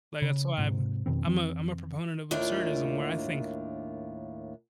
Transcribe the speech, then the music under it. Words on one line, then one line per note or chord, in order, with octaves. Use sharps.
Like, that's why I'm I'm a I'm a proponent of absurdism where I think
C#3
G#2 C3
F2 B2 D#3 C4
F2 E3 C4
D#2 A2 D4 F4 A#4